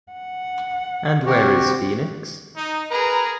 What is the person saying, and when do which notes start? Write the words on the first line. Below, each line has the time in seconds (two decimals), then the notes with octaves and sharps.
And where is Phoenix?
0.12 F#5
1.26 C3 C4 F#4 G4
2.57 D#4
2.91 G#4 A#4 B4 A#5